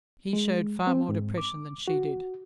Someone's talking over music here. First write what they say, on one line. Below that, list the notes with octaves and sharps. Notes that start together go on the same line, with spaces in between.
He showed far more depression than she did.
G#3
C4
G#2
D6
F#4